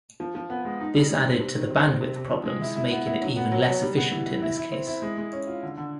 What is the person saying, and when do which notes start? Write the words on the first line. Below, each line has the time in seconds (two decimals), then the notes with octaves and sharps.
This added to the bandwidth problems, making it even less efficient in this case.
0.20 F3
0.35 F3
0.50 B3
0.65 G#3
0.80 D#4
0.95 G3
1.11 G3
1.25 C4
1.40 C3
1.55 D#3
1.70 C4
1.85 C4
2.01 C3
2.16 C3
2.31 F3
2.45 G#3
2.61 E4
2.76 E4
2.91 B3
3.06 E4
3.22 F#3
3.36 B3
3.52 F#3
3.67 F#3
3.82 G3
3.96 B3
4.12 E3
4.28 E3
4.42 E4
4.57 E4
4.72 C4
4.87 E4
5.02 G#3
5.18 G#3
5.33 C#4
5.47 F4
5.63 D3
5.77 D3